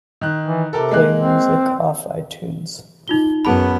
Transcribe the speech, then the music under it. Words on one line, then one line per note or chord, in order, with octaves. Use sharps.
Play music off Itunes.
D#3 F#6
E3
C3 A4 A#4 A5
G#3 A#3 F#6
C4
D#4 F4 G7
F#2 B3 G#4 A5 B5